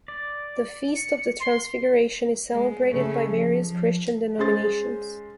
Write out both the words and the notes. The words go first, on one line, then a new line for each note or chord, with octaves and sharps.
The Feast of the Transfiguration is celebrated by various Christian denominations.
D5
C#7
C6
G#3
C#3 A3
F3
F3
G#3 C#4 C5 C6 A6